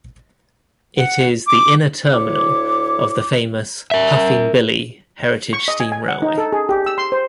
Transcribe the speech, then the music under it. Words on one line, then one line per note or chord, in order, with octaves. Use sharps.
It is the inner terminal of the famous Puffing Billy heritage steam railway.
F#5
D6
D2 E4 C#5 D6
A#4 E5
C#6
D#5
G#5
G#5
F#5
D#4
A4
G#4
G4
E6
C6
C5